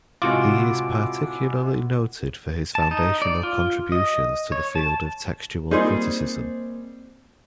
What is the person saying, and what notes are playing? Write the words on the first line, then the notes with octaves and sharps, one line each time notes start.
He is particularly noted for his foundational contributions to the field of textual criticism.
A2 C3 G#3 F4 F#4 D6
A5
D#4
D5
F4
D#5
C#5
A5
G3 A#3 C4 D#4 G#4 C5 C6